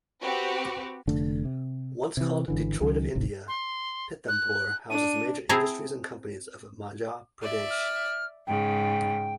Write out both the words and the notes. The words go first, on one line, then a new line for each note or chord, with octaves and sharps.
Once called, 'Detroit of India', Pithampur houses major industries and companies of Madhya Pradesh.
C4 F#4 G4 B4
F1 D3 A3 D4
C3
C3 E3
G#1 D3 E3
C#2 D#3 F#3 C#4
D1 G#1 C3
C6
F#6
D4 D#7
C4 E4 G#4 C5 A5 A#5
D5 E5
F6
G#2 C#3 G5